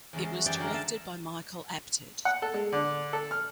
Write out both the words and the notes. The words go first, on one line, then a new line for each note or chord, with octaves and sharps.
It was directed by Michael Apted.
E2 C#3 G#3
F#4
F#2 E3 G4 G#4 C#5 D5
D3 G#3 A#4 F#5 A#5
D3 E5 A5 C6
F#5
A4
G#3
D3
A4
F6